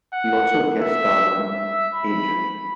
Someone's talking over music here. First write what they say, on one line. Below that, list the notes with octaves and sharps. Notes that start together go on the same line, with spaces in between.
He also guest starred on "Angel".
F#5
E5
E5
B5